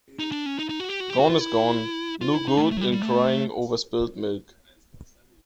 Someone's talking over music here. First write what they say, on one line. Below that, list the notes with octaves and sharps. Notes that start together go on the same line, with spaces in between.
Gone is gone. No good in crying over spilt milk.
D#4
D4
C#4
D#4
D#4
F#4
G4
F#4
G4
F#4
F4
E4
F4
E4
D#4
G#3
A3
A3
F#3
G3
G3
A3